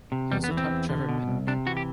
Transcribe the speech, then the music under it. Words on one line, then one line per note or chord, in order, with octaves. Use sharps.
He also taught Trevor Pinnock.
C3
E2 G3
B3
E3
C4
E2
D3
B2
C2
C3 D4
E3 F#4
G4